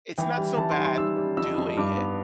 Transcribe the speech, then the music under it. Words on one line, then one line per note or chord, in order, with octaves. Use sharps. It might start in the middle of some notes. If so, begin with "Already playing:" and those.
it's not so bad doing it,
E3 G5
G3
E3 A5
C6
G3
C6
G3 E6
G3
F2 E6
F2
G2 D6
B3